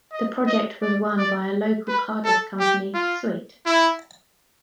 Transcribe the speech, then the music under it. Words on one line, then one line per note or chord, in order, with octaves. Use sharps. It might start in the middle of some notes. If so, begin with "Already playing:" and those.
The project was won by a local Cardiff company, Sweet.
D#5
D#5
D5
D5
B4
A4
G4
F4
E4